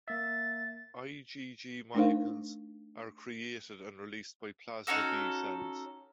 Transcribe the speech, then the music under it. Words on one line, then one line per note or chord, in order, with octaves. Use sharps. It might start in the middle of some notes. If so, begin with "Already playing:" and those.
IgG molecules are created and released by plasma B cells.
A#3 E5 A6
A3 D4 D#4 A#4 C5 F5
C#4 D#4 F#4 A4